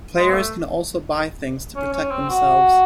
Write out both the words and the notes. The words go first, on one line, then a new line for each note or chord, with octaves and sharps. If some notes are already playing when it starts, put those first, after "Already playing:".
Players can also buy things to protect themselves.
G#3
C4
A3
C#4
C#4
C4
F#4